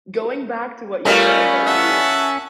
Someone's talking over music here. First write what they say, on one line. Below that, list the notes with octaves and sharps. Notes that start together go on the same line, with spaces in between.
going back to what you said that you,
G3 A3 B3 C#4 F4 A#4
E5 F#5 A5